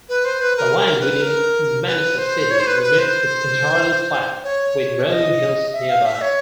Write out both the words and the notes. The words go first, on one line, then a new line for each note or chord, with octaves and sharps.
The land within Manassa city limits is entirely flat, with rolling hills nearby.
B4
C5
B4
A#4
A#4
B4
A#4
B4
C5
C#5
C5
B4
B4
C5
C#5
D#5
E5
F5
E5
C#5